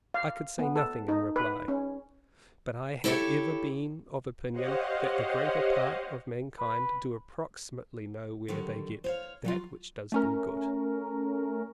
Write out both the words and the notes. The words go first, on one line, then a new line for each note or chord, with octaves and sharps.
I could say nothing in reply, but I have ever been of opinion that the greater part of mankind do approximately know where they get that which does them good.
F5
B3
A4
D#4
B4
C#4
E4 G4 A4 C#5 E5
G4 C5 C#5 D#5 F5 F#5
B4
D3 D#3 F#3 G3
C5 C#5 F5
F#3 G3 F4
A3 C#4 A#4